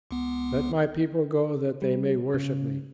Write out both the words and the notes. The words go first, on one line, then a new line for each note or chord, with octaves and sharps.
Let my people go that they may worship me.
C#2 B3
G3
C#3